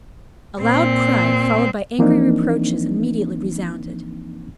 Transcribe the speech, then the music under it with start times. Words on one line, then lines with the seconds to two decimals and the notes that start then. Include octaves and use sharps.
A loud cry, followed by angry reproaches, immediately resounded.
0.60 A#2 C4
1.99 E3 F3 A#3 C4 D4 D#4